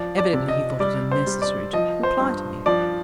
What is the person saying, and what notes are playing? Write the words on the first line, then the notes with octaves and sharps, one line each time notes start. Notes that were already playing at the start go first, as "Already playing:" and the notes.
Evidently he thought it unnecessary to reply to me.
Already playing: F3 D5
D5
C3
D#5
G3 D5
C5
G3
D5
F3 D#5
C5
G2
F3 D5